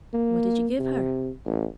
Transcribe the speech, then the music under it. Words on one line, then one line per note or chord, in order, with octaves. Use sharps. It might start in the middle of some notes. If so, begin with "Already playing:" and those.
'What did you give her?'
A#3
C3
A1